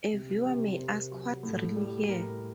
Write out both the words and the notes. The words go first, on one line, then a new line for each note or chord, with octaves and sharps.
A viewer may ask what's real here?
C3
C3
A#4
C3 C5
F#3
A2
G3
A2 A#4